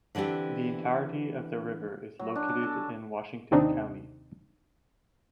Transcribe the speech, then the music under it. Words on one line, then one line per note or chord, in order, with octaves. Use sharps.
The entirety of the river is located in Washington County.
D3 E3 C4 D4 G4
F#3
D4
A5
A4
D#2 C3 C4 D4 D#4